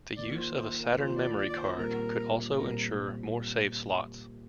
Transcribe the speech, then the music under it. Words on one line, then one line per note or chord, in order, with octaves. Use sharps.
The use of a Saturn Memory Card could also ensure more save slots.
D#3 A#3 F4 D5
C5
C5
A#4
D#3 A#3 F4 C5
D5
D5
D5
C5
A#2 G3 C4 A#4
A#2 G3 C4 A#4